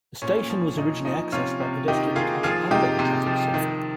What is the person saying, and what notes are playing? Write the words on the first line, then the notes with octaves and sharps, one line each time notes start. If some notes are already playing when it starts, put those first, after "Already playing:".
The station was originally accessed by a pedestrian tunnel under the traffic circle.
A#2 C#4
F3
A#2 D#4
F3 D#4
C3 C#4 F4
C3
D#3 D#4 G4
D#3 F4 G#4
F3 F4 G#4
C3 D#4 G4
C3
F3
D#3